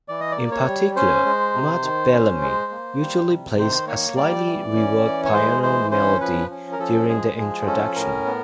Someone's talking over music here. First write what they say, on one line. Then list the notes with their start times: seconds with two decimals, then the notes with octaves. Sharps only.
In particular, Matt Bellamy usually plays a slightly re-worked piano melody during the introduction.
0.08 E3 D5
0.20 D#5
0.32 D5
0.37 A#3
0.52 C#5
0.67 G3
0.96 C#4 C5
1.25 G#3
1.54 C3
1.84 D#3
2.12 C#4
2.42 G#3
2.71 A#3
3.00 G3
3.29 C3
3.58 D#3 C5
3.87 A#3 C#5
4.16 G3 D5
4.46 E3
4.75 C#4
5.05 E3
5.25 C#5
5.33 G#3 C5
5.63 E3 C5
5.91 C#4 C5
6.21 F3 B4
6.51 C#4
6.72 A#4
6.79 F3 A4
7.08 G#3 G#4
7.38 F3 G#4
7.66 C#4 A4
7.96 A2 A#4
8.25 B3